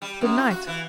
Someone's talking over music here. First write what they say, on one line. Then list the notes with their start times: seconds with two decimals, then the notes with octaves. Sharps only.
Good night!
0.02 G3
0.21 F#2
0.38 F4
0.50 F#4
0.67 E3